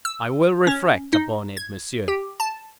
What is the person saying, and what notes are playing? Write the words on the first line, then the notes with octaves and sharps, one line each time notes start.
"I will reflect upon it, monsieur."
E6
C#4
D#4
G#6
G4
A5